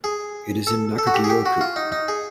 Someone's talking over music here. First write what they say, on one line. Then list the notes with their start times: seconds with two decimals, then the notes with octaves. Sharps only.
It is in Nakagyo-ku.
0.04 G#4
0.67 A4
0.98 A4
1.07 F#4
1.14 G4
1.24 G#4
1.30 G4
1.46 F#4
1.61 F4
1.76 D#4
1.92 D#4
2.08 G#4